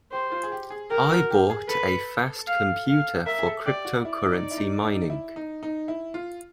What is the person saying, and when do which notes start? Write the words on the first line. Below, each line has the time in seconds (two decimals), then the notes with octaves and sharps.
I bought a fast computer for cryptocurrency mining.
0.11 G4 C5
0.32 F4
0.43 G#4
0.52 G4
0.70 G#4
0.91 G4 A#4
1.10 F#4
1.30 G4
1.50 G#4
1.69 A4 B4
2.47 F5
2.87 F5
3.26 A#4 E5
3.39 G#4
3.47 A4
3.66 G4 D5
3.85 F#4
4.05 E4 D5
4.32 D#4
4.51 E4
4.58 D#4
4.83 D#4
5.10 E4
5.36 D#4
5.63 D#4
5.88 E4
6.14 F4